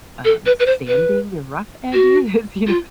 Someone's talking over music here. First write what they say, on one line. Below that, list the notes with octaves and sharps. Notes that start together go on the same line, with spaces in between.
um, sanding your rough edges, you know,
A4
B4
B4
C5
B4
F#4
F4